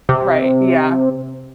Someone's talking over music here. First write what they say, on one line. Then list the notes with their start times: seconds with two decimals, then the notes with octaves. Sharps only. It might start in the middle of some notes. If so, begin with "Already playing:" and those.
Right, yeah.
0.09 C3